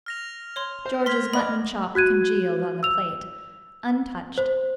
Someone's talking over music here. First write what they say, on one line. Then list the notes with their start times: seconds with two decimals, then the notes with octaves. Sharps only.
George's mutton chop congealed on the plate, untouched.
0.06 F6 A#6 F7
0.56 C#5 C6
0.85 C5
1.06 C6 F6 G#6 B6
1.33 D5 D#5 B5
1.95 F#4 F#6 G#6 D#7
2.83 E6 F7
4.38 C5